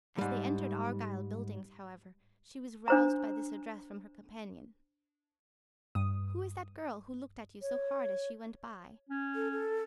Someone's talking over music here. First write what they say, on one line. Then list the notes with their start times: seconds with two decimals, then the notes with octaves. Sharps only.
As they entered Argyle Buildings, however, she was roused by this address from her companion, "Who is that girl who looked at you so hard as she went by?"
0.18 G#2 G3
2.88 D4 C5 A#5
5.95 G2 D#6
7.62 C#5
9.09 C#4
9.35 A4
9.52 A4